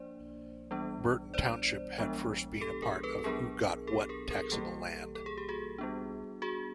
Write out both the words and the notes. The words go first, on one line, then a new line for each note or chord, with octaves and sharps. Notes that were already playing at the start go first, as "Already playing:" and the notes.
Burton Township had first been a part of who got what taxable land.
Already playing: F3 A#3 D4 C5 D5
E3 G3 B3 D4
C5 D5
F3 G#3 B3 D4
G4 A4
G#4 A#4
A4 B4
A4
F#3 B3 D4 G#4 A#4
G4 A4
G#4 A#4
G#4 A#4
E3 G3 A#3 G4 A4
A4
G#4
G4
F#4 G#4
G3 B3 D4
F#4 G#4